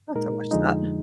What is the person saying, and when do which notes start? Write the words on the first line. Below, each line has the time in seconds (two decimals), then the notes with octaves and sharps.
I'll have to watch that.
0.15 A#2 G#3 D#4 A#4
0.51 F2 D3 F3 G#3 D#4